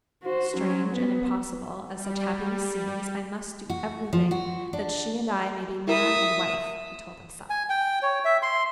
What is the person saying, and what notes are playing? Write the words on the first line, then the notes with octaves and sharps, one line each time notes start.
"Strange and impossible as such happiness seems, I must do everything that she and I may be man and wife," he told himself.
F#4 C5
F#3 C#4
B3
G3
F#4
F3
F#4
D4
E4 A#4 E5 D#6
G#5
G5
C#5
E5
C6